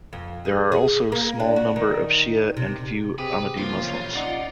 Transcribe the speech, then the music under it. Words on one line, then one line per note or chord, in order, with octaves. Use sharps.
There are also small number of Shia and few Ahmadi Muslims.
F2
G#4
G#4
A#3
D4
F#4
D#3
C3
C3 G4 G#4 B4
C#3 F3 A#3 F4
A#2 C#4
D#4 D5 F#5